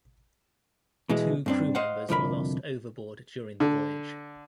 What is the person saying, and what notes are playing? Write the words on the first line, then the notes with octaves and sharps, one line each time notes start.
Two crew members were lost overboard during the voyage.
B2 E3 G#3
G2 C4 D4
C5 D#5 F5 F#5
C2 F2 D3 A#4 B5
D3